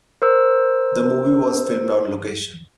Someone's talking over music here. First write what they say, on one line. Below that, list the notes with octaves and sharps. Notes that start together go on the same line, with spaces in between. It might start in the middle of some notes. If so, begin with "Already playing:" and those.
The movie was filmed on location.
A#4 C5 E6